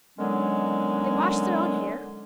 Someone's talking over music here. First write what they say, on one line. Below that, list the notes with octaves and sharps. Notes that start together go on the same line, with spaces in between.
They washed their own hair.
D3 D#3 F#3 G#3 B3 C#4